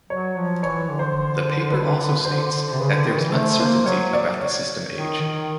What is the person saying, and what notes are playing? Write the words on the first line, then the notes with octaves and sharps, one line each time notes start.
The paper also states that there is uncertainty about the system age.
F#3 C#5
F3
E3 C#5
D3
C5
B4
D3 C5
D3
C3
C#3 B4
D3
D#3
E3
A3 C5
A#3 C5
F#3 C#5
D5
C#5
D#3
D#3